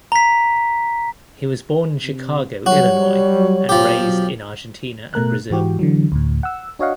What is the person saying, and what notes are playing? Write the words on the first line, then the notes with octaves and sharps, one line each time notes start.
He was born in Chicago, Illinois, and raised in Argentina and Brazil.
A#5 B6
C3
F#3 G3 F#4 C#5
B2 F3 G4
B2 A3 A#4 F#6
G#2 E3 F#4 G4
D3 E3 F#3
D2 A2
F#5 E6
D4 F#4 C#5 D#5 F5 F#5